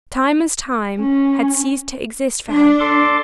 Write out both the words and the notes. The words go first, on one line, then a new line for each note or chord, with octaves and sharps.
Time, as time, had ceased to exist for her.
C#4
D4
A4 C6 D6